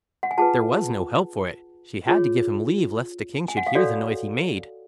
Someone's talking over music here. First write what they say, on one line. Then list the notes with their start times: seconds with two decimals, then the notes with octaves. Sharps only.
There was no help for it; she had to give him leave, lest the king should hear the noise he made.
0.23 F#5
0.31 G#5
0.38 F4 G#4 B4 F#5 A5
2.07 F4 G#4 C#5
3.48 G#5
3.57 F#5
3.67 F5
3.75 F#4 A4 C#5 D5